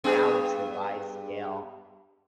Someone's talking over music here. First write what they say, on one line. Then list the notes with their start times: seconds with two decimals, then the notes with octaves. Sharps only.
galaxy-wide scale,
0.04 G2 B3 G#4